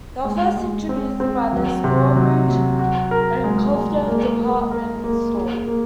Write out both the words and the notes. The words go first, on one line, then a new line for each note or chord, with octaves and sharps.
They were first introduced by the Strawbridge and Clothier Department Store.
G#3
G#3
C4
C4
F#3
C3
F#3
F#3
F#4
A#4
G#3
G#3
A#3
A#3
A#4
A#3
G#4
A#3